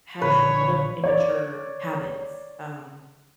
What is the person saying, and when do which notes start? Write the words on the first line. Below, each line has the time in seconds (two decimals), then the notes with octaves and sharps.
has a lot of immature habits, um.
0.22 A#1 A#2 D3 B4 C#5
1.04 C#5 D5